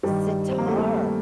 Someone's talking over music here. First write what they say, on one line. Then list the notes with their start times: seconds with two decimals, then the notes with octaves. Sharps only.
The sitar.
0.03 G2 D#3 G3
0.49 C4
0.58 A#3
0.68 A3
0.78 G3